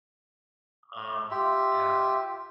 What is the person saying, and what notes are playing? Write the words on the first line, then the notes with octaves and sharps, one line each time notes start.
um yeah,
F4 G4 E5